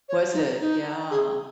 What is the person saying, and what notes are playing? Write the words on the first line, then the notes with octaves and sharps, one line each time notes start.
Was it, yeah,
C#5
D#4
D#4
G#4